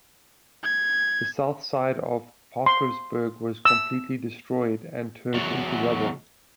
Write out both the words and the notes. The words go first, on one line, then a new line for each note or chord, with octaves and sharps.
The south side of Parkersburg was completely destroyed and turned into rubble.
G#6
C6
E6
E2 F#3